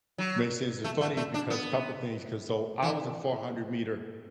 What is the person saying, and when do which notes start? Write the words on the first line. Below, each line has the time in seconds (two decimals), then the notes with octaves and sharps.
Makes sense. It's funny because- a couple things- 'cause so I was a four-hundred-meter
0.18 F#3
0.84 A3
1.01 A3
1.17 A3
1.34 D4
1.50 B3
2.82 E3